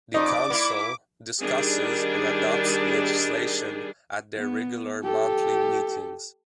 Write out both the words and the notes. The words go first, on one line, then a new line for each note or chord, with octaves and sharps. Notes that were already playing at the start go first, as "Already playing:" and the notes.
The Council discusses and adopts legislation at their regular monthly meetings.
F2 D#4 D5 D6
A#3 E4
D#3 G3 D4 G#4
B3
G4 A4